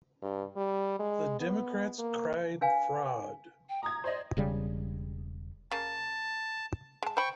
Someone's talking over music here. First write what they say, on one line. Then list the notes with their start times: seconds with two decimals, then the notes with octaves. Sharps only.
The Democrats cried fraud.
0.23 G2
0.57 G3
1.00 G#3
1.40 B3
1.99 A#3
2.61 D4 B4 F5 G#5
3.69 G5
3.83 A#5 D#6 G#6
4.04 C5 D5 D#5
4.37 E1 C#3 G3
5.71 C#3 A#3 A5
7.03 G#3 A5
7.17 C5 G5 B5 C#6